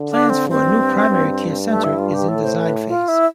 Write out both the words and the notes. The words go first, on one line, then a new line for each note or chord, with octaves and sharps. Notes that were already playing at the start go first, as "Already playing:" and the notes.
Plans for a new primary care centre is in design phase.
Already playing: D3
D4
C4
G2 C4
G2
A3
E4
F4
G4
A2 A4
C5
B4
F4
E4